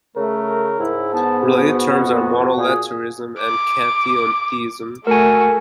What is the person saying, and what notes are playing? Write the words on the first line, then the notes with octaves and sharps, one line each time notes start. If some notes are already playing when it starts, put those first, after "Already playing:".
Related terms are monolatrism and kathenotheism.
C#3 A3 A#4
G#2 E4
B3 A5
F#4
F2
A#2 G#4
D6
A3 F#4 A#4 G#5